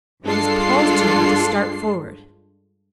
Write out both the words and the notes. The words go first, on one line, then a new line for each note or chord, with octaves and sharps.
It was Paul's turn to start forward.
G2 G#3 D4 F4 A4 C7